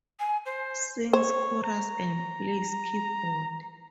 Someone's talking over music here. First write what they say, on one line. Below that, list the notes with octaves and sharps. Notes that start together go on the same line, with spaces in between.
Sings chorus and plays keyboard.
G#5
C5
C5 C#5
A#5